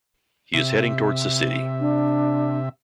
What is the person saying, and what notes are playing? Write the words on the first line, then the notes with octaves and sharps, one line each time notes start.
He is heading towards the city.
C3 E5
D4